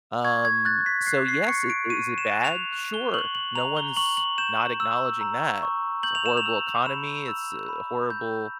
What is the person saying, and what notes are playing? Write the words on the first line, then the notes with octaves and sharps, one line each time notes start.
Um, so yes, i is it bad? Sure, no one's not acknowledging that. It's a horrible economy, it's a horrible,
C#6 G#6
G#6
F#6 A6
B6
F#6 C7
C7
C#6 C#7
D7
C#6 D#7
E7
F#6
F7
F#6
G7
C#6 F#7
F#7
A#5 F7
G7
C#6 F#7
F#7
G6 E7
E6
A#5
C#6
G6 F#7
F7
E7
F7
E6
B5 E7
E6
B5
G6